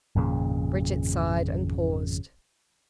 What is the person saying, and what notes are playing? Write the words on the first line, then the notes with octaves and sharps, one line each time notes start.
Bridget sighed and paused.
G#1 F2 A#2 C#3